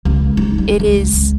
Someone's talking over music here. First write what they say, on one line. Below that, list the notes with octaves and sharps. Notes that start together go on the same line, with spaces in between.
It is
C#2
D#4
G3
C#2
C#2